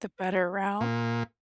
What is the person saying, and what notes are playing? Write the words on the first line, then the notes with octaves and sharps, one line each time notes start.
The better route.
A#2